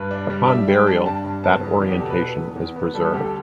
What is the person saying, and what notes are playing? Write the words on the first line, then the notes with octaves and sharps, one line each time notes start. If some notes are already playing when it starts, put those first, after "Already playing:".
Upon burial, that orientation is preserved.
Already playing: G2 B4
D4
G3 D5
D4 E5
G3 G5
D4 A5
G2 A5
G2
B3 A5
E2
E2 D5
G4
B2 A4
B4
B3 A4
E2
E2
B3
G3 A4
A4
D2 G4
A4